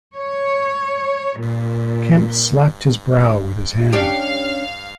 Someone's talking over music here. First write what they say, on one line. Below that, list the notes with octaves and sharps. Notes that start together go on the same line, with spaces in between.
Kemp slapped his brow with his hand.
C#5
A#2
C#4 D4 G4 F5